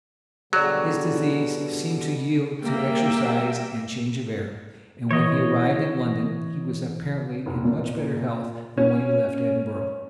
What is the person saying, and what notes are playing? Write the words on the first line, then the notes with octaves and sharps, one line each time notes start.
His disease seemed to yield to exercise and change of air; and when he arrived in London, he was apparently in much better health than when he left Edinburgh.
B2 D3 F#3 G3 G#4 D5
G3 A#3 E5 G5
E3 C#5 D#5
F1
A#2
C#4